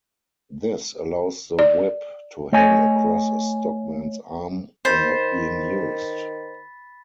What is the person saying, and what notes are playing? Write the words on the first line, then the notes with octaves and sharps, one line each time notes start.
This allows the whip to hang across a stockman's arm when not being used.
D5
A3 C#5 D#5 G#5
D#3 C5 B5 A6 B6